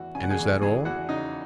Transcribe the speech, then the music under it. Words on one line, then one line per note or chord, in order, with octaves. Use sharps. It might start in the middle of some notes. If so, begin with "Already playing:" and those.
"And is that all?"
Already playing: E2 E3 F#4
C#3 G#5
F#5
G#4 G#5
E2
E3 G#4 G#5
E2 F#4 F#5
C#3 D#4 D#5